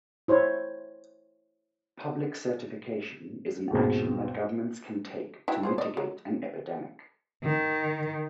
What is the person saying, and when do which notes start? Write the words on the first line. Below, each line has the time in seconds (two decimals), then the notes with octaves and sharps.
Public certification is an action that governments can take to mitigate an epidemic.
0.28 E4 C5 C#5
3.71 D#2 G#2 B2 C4
5.48 E4 F#4 G5
5.63 F4 G#4 C5
5.78 D5 D#5
5.97 F#3
7.43 D#3